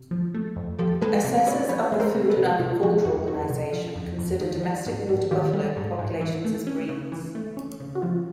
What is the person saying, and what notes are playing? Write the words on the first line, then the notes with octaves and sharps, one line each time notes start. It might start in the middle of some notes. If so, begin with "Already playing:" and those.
Assessors of the Food and Agriculture Organisation consider domestic water buffalo populations as breeds.
Already playing: C3
F3
A3
F2
F3 G4 A4
G#3 A4 B4
C3
C3 B4 C#5
F3 B4 C#5
G#3
A#4 C5
C3
A4 B4
C3
C3 F4
F3 F#4
F2 F#4
F2 F#4
C3
F3
F2
F2
D#3
G3
G#2
G#2
D#3 F4 G4
G3
G#2
G#2
E3
A3
C#4
C#3
E3
A3
C#4
C#3
F#4
F3 F4